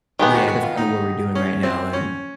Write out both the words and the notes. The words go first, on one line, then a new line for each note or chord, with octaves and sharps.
Yeah, that's kinda what we're doing right now, and
D#3 G#3 B3 G4
F#4
F#4
F4
D#4
C#4
C4
C#4